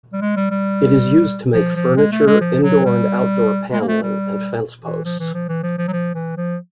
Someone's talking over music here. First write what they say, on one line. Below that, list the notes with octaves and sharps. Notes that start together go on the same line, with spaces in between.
It is used to make furniture, indoor and outdoor paneling, and fence posts.
G3
G#3
G3
G3
F3
F3
G#3
A3
G#3
F3
F#3
G3
G#3
A#3
A3
G3
E3
F3
E3
F3
E3
F3
F3
F#3
F3
E3
F3